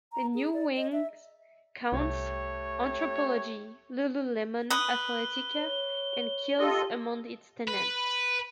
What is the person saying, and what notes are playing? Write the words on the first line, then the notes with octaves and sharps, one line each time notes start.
The new wing counts Anthropologie, Lululemon Athletica, and Kiehl's among its tenants.
A#5
G#4
D5
D#5
E5
C2 A3 G4 C#5
B4 D#6 G7
C#5
F4 G4 A4 D#5
B4